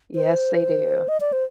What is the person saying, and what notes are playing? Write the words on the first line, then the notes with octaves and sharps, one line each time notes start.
Yes, they do.
C5
D#5
D5
C5